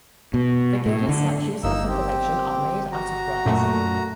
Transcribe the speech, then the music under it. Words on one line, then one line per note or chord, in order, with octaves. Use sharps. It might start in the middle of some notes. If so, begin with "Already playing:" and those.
The gilded statues of the collection are made out of bronze.
B2
A2
D3
G1 A#3 D#4 E6
C4 G4
F#4 A#5
F#2 A#2 A3